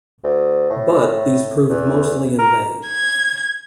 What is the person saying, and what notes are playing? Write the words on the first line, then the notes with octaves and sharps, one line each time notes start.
But, these proved mostly in vain.
D2
A2
E2
A#4
G#6